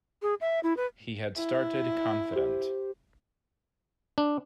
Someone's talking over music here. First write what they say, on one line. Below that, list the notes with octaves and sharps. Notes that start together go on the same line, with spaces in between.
He had started confident.
G#4
E5
E4
B4
E4
G4 C5
D4